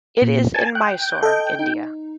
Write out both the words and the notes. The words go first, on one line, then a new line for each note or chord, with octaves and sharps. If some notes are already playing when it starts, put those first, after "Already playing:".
It is in Mysore, India.
A#2
G#5 A5
G5 F#6
A4 D#5
D#4